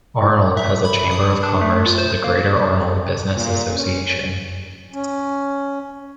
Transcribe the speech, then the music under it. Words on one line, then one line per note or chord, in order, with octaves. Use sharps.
Arnold has a chamber of commerce, the Greater Arnold Business Association.
A2
E5
B5
D#6
D4
A3
F4
C5
A#3
A#2
C#4
C#4